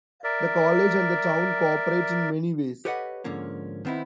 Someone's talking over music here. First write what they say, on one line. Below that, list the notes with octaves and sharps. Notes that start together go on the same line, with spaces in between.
The college and the town cooperate in many ways.
A#4 D5 E5
G4 A4 B4 C#5 D#5 F#5
G#2 D3 F3 A#3 C#4
D#3 B3 C4 D#4 E4